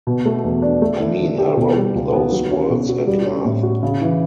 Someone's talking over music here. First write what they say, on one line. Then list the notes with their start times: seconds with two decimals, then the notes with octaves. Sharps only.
I mean, I wrote those words and laughed.
0.07 B2
0.26 A3
0.44 E2
0.62 D4
0.82 A3
1.00 E4
1.19 D3
1.38 G4
1.57 B2
1.76 G3
1.95 C#2
2.13 B3
2.32 F#3
2.51 C#4
2.70 B2
2.89 F#4
3.07 G3
3.26 C#4
3.45 A2
3.63 F#4
3.83 C#3
4.01 E3